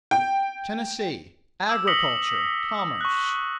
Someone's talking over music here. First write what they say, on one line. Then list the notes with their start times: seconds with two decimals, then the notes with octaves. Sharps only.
Tennessee--Agriculture, Commerce.
0.11 G5
1.69 D6 E6
1.87 D#6 A#6 B6 C#7 F#7 G7
3.01 C#6 F#6